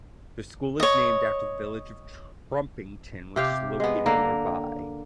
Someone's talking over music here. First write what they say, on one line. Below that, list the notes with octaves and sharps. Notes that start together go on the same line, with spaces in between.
The school is named after the village of Trumpington which is located nearby.
C#5 D#5
C3 G4 F5
G#3 B3
D3 A#3 A#4